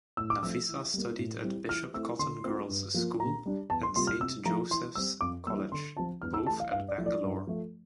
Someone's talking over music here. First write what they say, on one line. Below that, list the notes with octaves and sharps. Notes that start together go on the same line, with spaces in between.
Nafisa studied at Bishop Cotton Girls' School and Saint Joseph's College, both at Bangalore.
A2 E6
D6
F3 A3 C4 E6
E3
G3 A#3
A2
G3 C4 E4
E3 F6
A3 C4 E4 E6
D3 C6
A3 C4 F4
G2
F3 A#3 F4
A#2 A#5
G3 D4
E2 A5
C6
C3 G3 A#3 F4 C6
F6
C3 E6
F3 A3 A#5
E3 C6
G3 C4 E6
F2 D6
E3 G3 A#3 E6
D3 C6
F3 C4 F4 A5
E2 F6
E6
E3 A3 E4 A5
F5
G2 F5
D5
F3 A3 E4
D5
G2
F3 A3